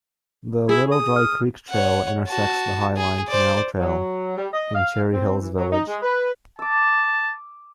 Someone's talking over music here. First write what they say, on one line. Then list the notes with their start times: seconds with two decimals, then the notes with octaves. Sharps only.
The Little Dry Creek Trail intersects the Highline Canal Trail in Cherry Hills Village.
0.69 E4 G#4
0.92 D#6
1.16 F6
1.69 C#5 F#5
2.28 F#4 A5
2.97 G#4
3.28 C5 D5
3.79 F#3
4.37 G3
4.53 D#5
4.74 F5
5.13 C4
5.41 E3
5.56 F#3
5.72 D#4
5.87 G#3
6.02 B4
6.59 A5 D6 E6